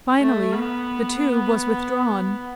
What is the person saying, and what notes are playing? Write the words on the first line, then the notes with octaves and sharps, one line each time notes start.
Finally the tube was withdrawn.
A3
B3